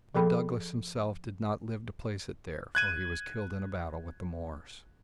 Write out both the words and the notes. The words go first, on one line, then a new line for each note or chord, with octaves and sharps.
But Douglas himself did not live to place it there, for he was killed in a battle with the Moors.
F3 G#4 A4 G5 B5
F#6 G#6 D#7